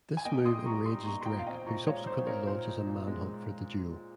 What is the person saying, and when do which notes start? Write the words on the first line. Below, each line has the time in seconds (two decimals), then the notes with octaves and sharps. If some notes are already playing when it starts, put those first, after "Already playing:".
This move enrages Drek, who subsequently launches a manhunt for the duo.
0.17 G#5
0.25 A#3 D#5 G5
0.45 A#2 C6 D#6
0.65 G3 A#5 C#6
0.85 D#4 C6 D#6
1.06 A#3 A#5 C#6
1.21 C6
1.26 A#2 G5 A#5
1.39 F5
1.46 C4 D#5 G5
1.66 A#2 A#5 C#6
1.87 G#3 C#5 F5
2.07 D#4 C5
2.27 C4 A#4 C#5
2.47 A#2 C5
2.68 D#4
2.87 A#2
3.07 G#3